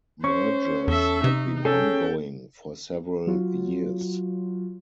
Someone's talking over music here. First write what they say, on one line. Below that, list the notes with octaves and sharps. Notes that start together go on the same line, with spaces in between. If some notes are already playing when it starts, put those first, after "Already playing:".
Mergers had been ongoing for several years.
C#4 C5 C#6
E2 A4 E5
C3 D#4
C#4 G#4 A4 G5
F#3 F4 F#4